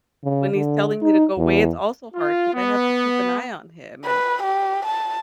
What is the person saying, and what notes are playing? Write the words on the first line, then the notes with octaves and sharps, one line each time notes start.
when he's telling me to go away, it's also hard 'cause I have to keep an eye on him and
C#3
D3
D#4
E2
F4
B3
B4
G4
A5